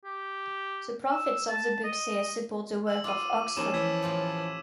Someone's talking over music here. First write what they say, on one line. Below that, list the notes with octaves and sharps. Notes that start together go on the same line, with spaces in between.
The profits of the book sales support the work of Oxfam.
G4
E6
A5
D#5
E6 F#7
F4 D6 E6 D#7
D#2 F3 C#4 E4 E7
E3 E6 G#6 B6
A2 F4 G4